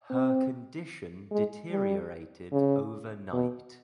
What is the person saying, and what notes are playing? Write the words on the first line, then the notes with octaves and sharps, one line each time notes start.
Her condition deteriorated overnight.
C4
G#3
G3
C#3
B2